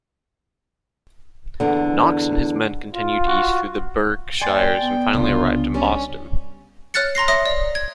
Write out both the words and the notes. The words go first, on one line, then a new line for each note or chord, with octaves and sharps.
Knox and his men continued east through the Berkshires and finally arrived in Boston.
E2 D3
F4
F#4
D#2 D5 G5 G#5 C6 A6
B3
C2 C#3 D4 F4
G3 C#4
C#5 F6 F#6 A6 C#7
A#5 C6 A#6 C7
C#5 E5 C6 D#6 A#6
D5
G#6